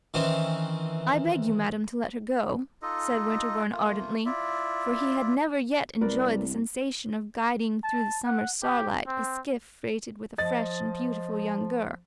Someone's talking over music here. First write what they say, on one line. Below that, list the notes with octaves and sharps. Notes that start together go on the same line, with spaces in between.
"I beg you, madam, to let her go," said Winterbourne ardently; for he had never yet enjoyed the sensation of guiding through the summer starlight a skiff freighted with a fresh and beautiful young girl.
D#3 E3 C4 C#4
D#4 F4 A4 D#5
A3 A#3 F4
E4 F4 D5 E5
C2 A#4 B4 D5
A5
F#5
G4
C4
F3 D#5 A6